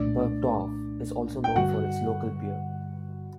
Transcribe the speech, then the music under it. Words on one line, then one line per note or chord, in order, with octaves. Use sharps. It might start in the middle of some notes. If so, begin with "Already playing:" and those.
Burgdorf is also known for its local beer.
Already playing: C2 A#2 A3 D4 D5
G5
G2 D3 G3 F#4 F#5